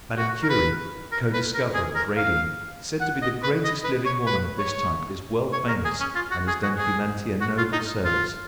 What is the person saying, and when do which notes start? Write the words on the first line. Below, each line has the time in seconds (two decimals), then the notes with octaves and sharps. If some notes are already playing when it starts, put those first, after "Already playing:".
Madame Curie, co-discoverer of radium, said to be the greatest living woman of this type, is world-famous and has done humanity a noble service.
0.18 F#4
0.44 A#4
0.50 B4
1.12 A#4
1.34 B4
1.54 A#4
1.74 G#4
1.96 A#4
2.17 F5
3.01 F#5
3.22 D#5
3.44 B4
3.64 D#5
3.84 B4
4.05 C#5
4.27 B4
4.59 C#5
5.53 C#5
5.68 A#4
5.85 G#4
6.00 C#4
6.15 F4
6.31 F#4
6.48 G#4
6.63 F#4
6.79 G#4
7.41 F#4
7.58 F4
7.73 D#4
8.05 F4